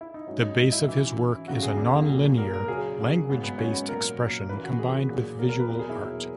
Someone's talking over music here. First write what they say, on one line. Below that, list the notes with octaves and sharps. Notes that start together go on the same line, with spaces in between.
The base of his work is a nonlinear language-based expression combined with visual art.
E4
D#4
G#2 F#3 C#4
D#4
G#2 F#3 D#4
E4
F#2 E3
F#2 E3
E2 C#3 F#3 F#4
G#4
E2 C#3 F#3
A#2 F#3
A#2 F#3 A#4
A#4
F#2 C#3 F#3 G#4
F#2 C#3 F#3
G#2 F#3 B3
B3
G#2 F#3 C#4
B3
A#2 F#3 A#4
A#2 F#3
F#2 E3 B4
F#4
F#2 E3 G#4
A#2 F#3
A#2 F#3 A#4
A#4
B4
E2 B2 F#3 A#4
G#4
E4
E2 B2 F#3